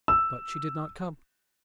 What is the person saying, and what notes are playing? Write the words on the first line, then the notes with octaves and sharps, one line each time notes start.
But she did not come.
E6